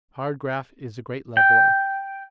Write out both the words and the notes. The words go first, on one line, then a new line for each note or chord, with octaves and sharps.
Hard graft is a great leveller.
G5